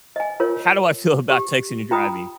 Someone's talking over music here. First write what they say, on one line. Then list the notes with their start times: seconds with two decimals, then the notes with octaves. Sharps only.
how do I feel about texting and driving?
0.16 D#5 G#5
0.40 F4 A#4 C#5
1.30 G4
1.91 F4 G5 A#5 B5 D#6